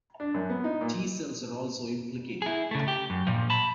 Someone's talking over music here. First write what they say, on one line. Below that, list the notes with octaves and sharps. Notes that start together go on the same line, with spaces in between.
T cells are also implicated.
D4
F#2
B3
D#4
A#2
E4 G#4
C#3 A3
G4
F#2
A#2 F3
A5 B5